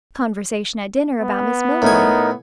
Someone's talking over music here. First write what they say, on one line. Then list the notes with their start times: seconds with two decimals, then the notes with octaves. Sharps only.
Conversation at dinner about Miss Milroy.
1.21 B3
1.82 A2 D#4 A#4 G#5